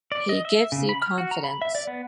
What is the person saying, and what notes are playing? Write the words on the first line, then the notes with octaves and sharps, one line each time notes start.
He gives you confidence.
D5
D#5
E5
C#3
B5
F6
F#4
A#5
B5
E5
D5
B3